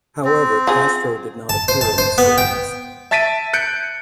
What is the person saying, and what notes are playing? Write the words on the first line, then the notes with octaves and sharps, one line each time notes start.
However, Castro did not appear in the series.
C4
F4 G#4
A5
C5
A5
C5
B3
G5
E5 A5 A6 B6 D7 D#7
F#6 G6 C#7 D7